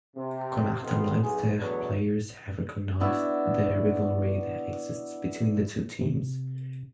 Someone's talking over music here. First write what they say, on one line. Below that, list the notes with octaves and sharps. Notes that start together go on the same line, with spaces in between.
Connacht and Leinster players have recognized the rivalry that exists between the two teams.
C3
F2 C3 B3 C4 D#4 F4
B1 G#4
E2 B2 F#3 A3 B3 D4
B3 D4 E4 F#4
C3